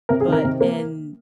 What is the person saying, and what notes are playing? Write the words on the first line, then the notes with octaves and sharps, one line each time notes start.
but in
C3 A#4
G#4
D#3
A#4
C3
A#3